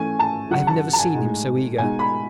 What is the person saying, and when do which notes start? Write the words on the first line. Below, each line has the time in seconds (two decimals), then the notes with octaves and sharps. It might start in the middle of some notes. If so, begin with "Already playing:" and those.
I have never seen him so eager.
Already playing: E3 A3 C#4 G#5
0.19 A5
0.51 C#3 F#3 C#4 F#5
0.67 A5
0.93 A5
0.99 G#5
1.14 A2 G#3 D#4
1.78 B2 G#3 D#4 G#5
1.99 B5